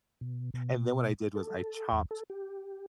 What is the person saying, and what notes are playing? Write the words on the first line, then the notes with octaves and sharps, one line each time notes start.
And then what I did was I chopped
B2
B2
A4
E2
A4
G4